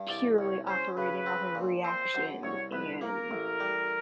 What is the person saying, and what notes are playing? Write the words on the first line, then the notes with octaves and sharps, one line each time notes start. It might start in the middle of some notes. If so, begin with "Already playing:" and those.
purely operating off of reaction and
Already playing: G2
C2 D5
C2 C#5
C#4 C5
C#3 B4
C4
A#2
C4 C5
F#2
C2 C#5
C2 B4
A#3 A#4
A1
G3